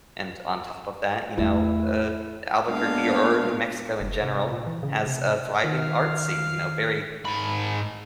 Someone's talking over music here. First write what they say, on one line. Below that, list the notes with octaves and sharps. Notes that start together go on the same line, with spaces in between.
and on top of that, you know, uh, Albuquerque, or New Mexico in genera,l has a thriving art scene, you know, very,
E2 A3 E4
G#3 A#3 B3 D4 F5
F#1
C3
A#2
E3
C#3
C3
D#3 F5
G#2 B5